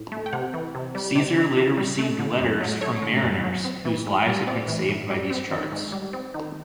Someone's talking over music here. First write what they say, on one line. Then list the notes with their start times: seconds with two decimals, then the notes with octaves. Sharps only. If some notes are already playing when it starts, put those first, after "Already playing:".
Caesar later received letters from mariners whose lives had been saved by these charts.
Already playing: A2
0.12 A3
0.26 G5
0.33 C3 F#5
0.54 E3
0.75 C3
0.95 G3
1.15 C3 D5
1.36 E3
1.57 C3
1.77 G3
1.99 A3
2.19 D3
2.40 F#2
2.61 F#3
2.81 A3 C#5
3.02 D3
3.23 F#2
3.44 F#3
3.64 C4
3.85 E3
4.06 A2
4.27 G3
4.47 C4 D5
4.68 E3
4.89 A2
5.10 G3
5.30 C4
5.51 D#3
5.72 G#2
5.92 G3
6.13 C4
6.34 D#3